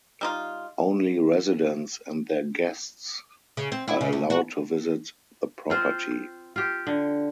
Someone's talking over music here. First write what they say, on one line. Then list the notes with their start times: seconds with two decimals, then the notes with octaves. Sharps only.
Only residents and their guests are allowed to visit the property.
0.21 G3 D#4 F4
3.57 C#3
3.72 C4
3.88 E4
4.01 C#3
4.13 D2
4.30 F#4
5.70 C4 F4 C5
6.56 F4 G4
6.87 D3